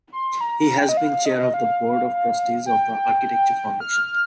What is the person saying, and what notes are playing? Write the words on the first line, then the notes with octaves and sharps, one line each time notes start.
He has been chair of the board of Trustees of The Architecture Foundation.
C6
A#5
A#5
G5
D#5
F5
D#5
F5
G5
F6